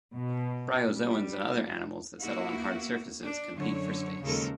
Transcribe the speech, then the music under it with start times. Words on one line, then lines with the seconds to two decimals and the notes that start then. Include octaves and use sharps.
Bryozoans and other animals that settle on hard surfaces compete for space.
0.14 B2
0.94 G3
2.20 A#3 B3 E4 F#4
3.21 D4
3.57 F#2 D3 C#5
4.22 D#2 C#3 F3 G#3 A4 A#4